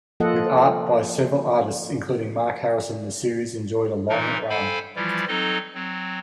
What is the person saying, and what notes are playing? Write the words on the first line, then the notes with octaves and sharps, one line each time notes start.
With art by several artists including Mark Harrison, the series enjoyed a long run.
F3 A#3 F4 A4 D#5 F#5
A#2 E3 D#4 A#4
A4 C5 F5 G5 G#5 B5
E3 F3 G3 E4 F4
F#3 C4 D#4 A4 D#5
F#3 C4